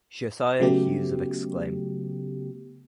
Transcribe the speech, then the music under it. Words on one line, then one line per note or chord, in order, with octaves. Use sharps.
Josiah Hughes of Exclaim!
C#3 F#3 A3 B3 G4